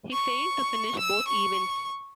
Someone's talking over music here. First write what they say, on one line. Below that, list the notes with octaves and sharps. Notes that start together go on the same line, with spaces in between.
He failed to finish both events.
C#6
E6
C#6